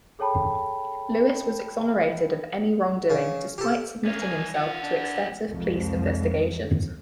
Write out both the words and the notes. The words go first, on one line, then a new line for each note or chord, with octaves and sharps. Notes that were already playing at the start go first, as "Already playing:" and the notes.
Lewis was exonerated of any wrongdoing despite submitting himself to extensive police investigations.
G#4 A4 C#5 G5 A5 B5
C#3
G4 A4
G3 C#4 A#4
G#5
F4 A#4 F#5
D4
C2 F2 F3 G#3